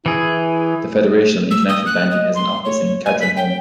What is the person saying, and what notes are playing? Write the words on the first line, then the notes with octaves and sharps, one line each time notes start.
The Federation of International Bandy has an office in Katrineholm.
E3 E4 G#4
E6
D#6
F#6
D#5
C6
C#5
G#5
B6
G5